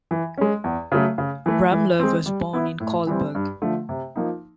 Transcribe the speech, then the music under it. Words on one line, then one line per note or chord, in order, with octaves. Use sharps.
Ramler was born in Kolberg.
E3
G#3 C#4
E2
C#3 F#3 A3
C#3
E3 A3
E3
G#3 C4
G3
B3 E4
A2
E3 G3 C4
G2
D3 F3 A3
C3
F3 A#3 D#4